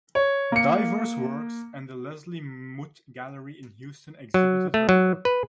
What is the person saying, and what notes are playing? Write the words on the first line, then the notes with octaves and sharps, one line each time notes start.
Diverse Works and the Leslie Muth Gallery in Houston exhibited her work.
C#5
A#3 C#7
F#3
A3
F#3
B4